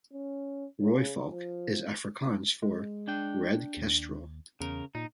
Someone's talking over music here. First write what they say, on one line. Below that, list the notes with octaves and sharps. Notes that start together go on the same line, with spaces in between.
"Rooivalk" is Afrikaans for "Red Kestrel".
C#4
C#3
F3
G#3
D4 G5
D#2
E2 C#3 A#4
A#2 D#4